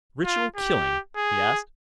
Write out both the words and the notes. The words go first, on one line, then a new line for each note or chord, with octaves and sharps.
"Ritual killing?" he asked.
F4
G4
G#4